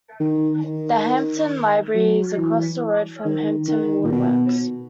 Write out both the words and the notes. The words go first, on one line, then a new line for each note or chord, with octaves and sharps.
The Hampton library is across the road from Hampton Water Works.
D#3
D#3
F#3
E3
D#3
D#3
A#2
B2